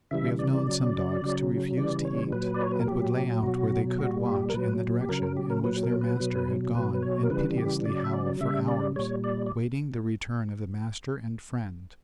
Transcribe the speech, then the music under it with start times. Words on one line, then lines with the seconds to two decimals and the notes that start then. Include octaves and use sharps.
We have known some dogs to refuse to eat, and would lay out where they could watch in the direction in which their master had gone and piteously howl for hours, waiting the return of the master and friend.
0.11 C#3 E3 G3 E5
0.39 D5
0.66 C#3 F#3
1.22 C#3 F#3
1.77 C#3 E3 G3 D5
2.05 C#5
2.32 A#2 F#3 B4
2.54 D5
2.63 C#5
2.71 B4
2.79 A#4
2.88 A#2 F#3 G4
3.43 B2 F#3 F#4
3.98 A#2 G3 F#4
4.26 G4
4.49 A#4
4.54 A#2 F#3 B4
5.01 G4
5.09 C#3 F#3 A#4
5.23 A#4
5.37 G4
5.50 A#4
5.64 A#2 F#3 B4
5.83 A#4
6.01 B4
6.20 B2 F#3
6.75 B2 F#3 B4
6.94 B4
7.02 C#5
7.23 A#4
7.30 C#3 E3 G3 B4
7.58 G4
7.85 C#3 F#3 D5
8.04 E5
8.13 D5
8.41 C#3 G3 E5
8.68 D5
8.96 A#2 G3 C#5
9.24 D5
9.46 D5